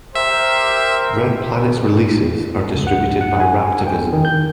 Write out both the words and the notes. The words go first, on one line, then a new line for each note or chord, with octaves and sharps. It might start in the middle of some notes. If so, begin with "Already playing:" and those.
Red Planet's releases are distributed by Raptivism.
G4 A#4 C5 E5
C#2
F#5
F#5
G#5
G5
D#3
G6